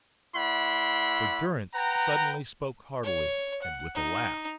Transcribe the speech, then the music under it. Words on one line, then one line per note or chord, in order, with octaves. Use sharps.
For Durrance suddenly spoke heartily, and with a laugh.
A3 E4 D5 F#5 B5 C6
B4 F#5 G5 A#5
C#5
F#5
D#4